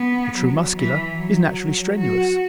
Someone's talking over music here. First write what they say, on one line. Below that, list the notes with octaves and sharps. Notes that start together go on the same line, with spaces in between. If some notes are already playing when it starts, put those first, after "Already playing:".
The true Muscular is naturally strenuous.
Already playing: B3
F#3
E3
F#3
F#4